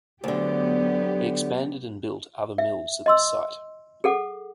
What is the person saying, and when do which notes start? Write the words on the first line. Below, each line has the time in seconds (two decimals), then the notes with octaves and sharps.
He expanded and built other mills at the site.
0.24 D2 D3 F#3 B3 G4
2.58 E5
3.06 D#5 C6 E6
4.04 G#4 A4 F#5 D6